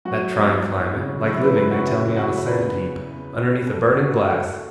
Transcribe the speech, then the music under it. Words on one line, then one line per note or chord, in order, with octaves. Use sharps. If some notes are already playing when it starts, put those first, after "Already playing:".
'That trying climate!--like living, they tell me, on a sand-heap, underneath a burning-glass!
F#3 F#4
E2
E2
C#3
F#3 E4
B4
F#2 B4
F#4
F#2 E4
C#3 F#4
E2 B4
E3
E2
E3
A2 A4
E3 F#4
A2 A4